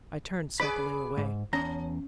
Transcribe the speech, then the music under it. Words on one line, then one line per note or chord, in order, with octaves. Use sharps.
I turned sulkily away.
G#4 B4 D5 B5
G#2
E2 C#4 A#5